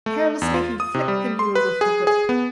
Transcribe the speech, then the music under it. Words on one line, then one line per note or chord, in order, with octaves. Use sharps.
Carelessly he flicked the mule with the whip.
A3
E2
F4
D#6
C3
G3
C6
B4
G#4
G#4
B3